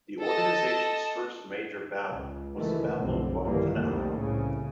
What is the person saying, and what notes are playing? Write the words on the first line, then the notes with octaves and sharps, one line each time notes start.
The organisation's first major battle was the Battle of Guadalcanal.
A4 D#5 A5
C#2
C#2 D#3 E3 A3
F1 B1 F#2 D3 C4
G1 D#3 E3 G3 A#3
C2 F2 D#3 G3 A3 A#3
C2 A2 C#3